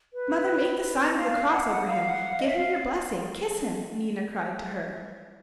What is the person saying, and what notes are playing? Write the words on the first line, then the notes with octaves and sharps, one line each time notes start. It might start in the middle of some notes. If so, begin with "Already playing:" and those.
"Mother, make the sign of the cross over him, give him your blessing, kiss him," Nina cried to her.
B4
F5
F#5
F#5
F5
F#5
F5
D#5
E5
F5